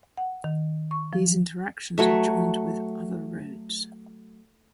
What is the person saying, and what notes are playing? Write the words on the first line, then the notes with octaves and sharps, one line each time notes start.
These interactions are joined with other roads.
F#5
D#3
C#6
F3
F#3 A3 E5